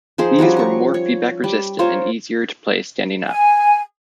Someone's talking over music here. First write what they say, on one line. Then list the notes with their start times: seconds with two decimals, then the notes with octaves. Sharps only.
These were more feedback resistant and easier to play standing up.
0.18 F3 D#4 G#4 C5
0.39 F3 G3 C#4 F#4
0.57 A#5 C#6
0.94 C#5
1.44 G3
1.79 F4 C5 C#5 A#5
3.30 G#5